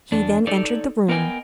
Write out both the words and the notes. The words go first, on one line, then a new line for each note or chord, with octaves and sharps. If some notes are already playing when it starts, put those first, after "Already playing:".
He then entered the room.
E2 D4
D#4 A4 C#5 D5
B3 A#4 D#5 G5 G#5